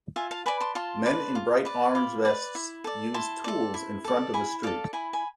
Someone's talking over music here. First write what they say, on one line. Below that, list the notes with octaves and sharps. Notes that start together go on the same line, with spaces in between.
Men in bright orange vests use tools in front of a street.
F4 E5 G#5
F5 A5
B4 D5 G#5 B5
A5 C6
F4 A5 C6
B4 D5
F4
B4 D5
F4 B5 D6
B4 D5
E4
A4 D5
E4 A5 C6
A4 D5
E4
A4 D5
E4 G#5 B5
A4 D5 F5 A5
E4 G#5 B5
G#5 B5